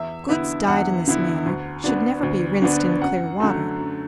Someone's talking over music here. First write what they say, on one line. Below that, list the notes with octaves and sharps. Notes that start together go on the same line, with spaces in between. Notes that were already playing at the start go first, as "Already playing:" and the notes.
Goods dyed in this manner should never be rinsed in clear water.
Already playing: E2 E5
D3 B3 E4
E2 F#5
D3 B3 E4
D2
D3 B3 D4
D2
D3 B3 D4
F#2 F#5
D3 F#3 A3
F#2